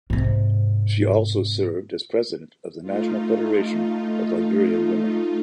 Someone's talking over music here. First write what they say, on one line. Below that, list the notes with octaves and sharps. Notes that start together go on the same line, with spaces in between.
She also served as president of the National Federation of Liberian Women.
G#2 C3
A3 D#4 F4